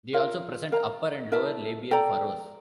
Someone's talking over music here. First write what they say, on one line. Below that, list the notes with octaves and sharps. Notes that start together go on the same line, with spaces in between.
They also present upper and lower labial furrows.
F4 A#4 F5
A#4 F5 A#5
E4 A#4 E5 A5
A4 D5 G5 A#5